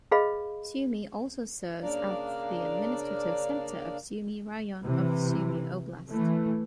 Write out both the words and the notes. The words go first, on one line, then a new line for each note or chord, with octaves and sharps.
Sumy also serves as the administrative center of Sumy Raion of Sumy oblast.
G#4 B4 D#5 F5 B5
C#3 A#3 D4 A#4 D5 F5
C3 E3
E3 A3